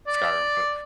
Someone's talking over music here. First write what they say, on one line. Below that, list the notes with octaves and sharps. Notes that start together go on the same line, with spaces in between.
Skyrim, but,
D5